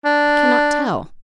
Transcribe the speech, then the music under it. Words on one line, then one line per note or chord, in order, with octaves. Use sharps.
I cannot tell.
D4